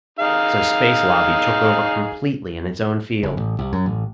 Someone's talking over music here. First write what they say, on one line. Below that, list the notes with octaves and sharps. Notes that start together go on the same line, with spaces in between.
So Space Lobby took over completely in its own field.
D#4 G#4 F5
F#1
A1
C2
F#2
A1